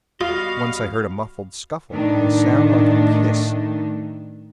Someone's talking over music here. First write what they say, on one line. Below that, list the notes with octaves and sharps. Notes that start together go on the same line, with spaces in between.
Once I heard a muffled scuffle and a sound like a kiss....
G3 B3 F4 F#4 D#5 F5
A2 D#3 A3 D4 D#4